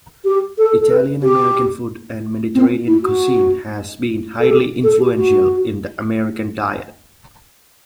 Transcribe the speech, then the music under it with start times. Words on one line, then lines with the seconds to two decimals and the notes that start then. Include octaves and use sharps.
Italian-American food and Mediterranean cuisine has been highly influential in the American diet.
0.24 G4
0.58 A4
0.80 A4
0.91 B4
1.23 G4
2.55 C4
2.87 E4
3.03 F#4
4.40 A4
4.51 G4
4.83 A4
5.00 G4
5.17 F#4